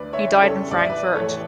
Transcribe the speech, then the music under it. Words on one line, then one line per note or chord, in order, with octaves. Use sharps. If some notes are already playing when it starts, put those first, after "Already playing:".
He died in Frankfurt.
Already playing: D2 B4 D5
C#5 E5
C#3 G3
A4 C#5
A1 D5
E5
B4 D5
A2 E3 A3 A4 C#5